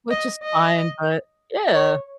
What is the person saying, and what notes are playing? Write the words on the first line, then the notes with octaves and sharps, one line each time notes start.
Which is fine. But, yeah.
D#5
D#5
C#5